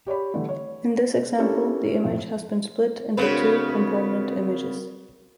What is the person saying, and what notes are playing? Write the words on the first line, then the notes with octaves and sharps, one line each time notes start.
In this example, the image has been split into two component images.
G4 C#5 D5 B5
D3 E3 G3 A3
C#5
C#4 D4 E4 G4 A4 A#4
F2 A2
C#3 B3 C4 D4 F#4 A#4 B4 C#5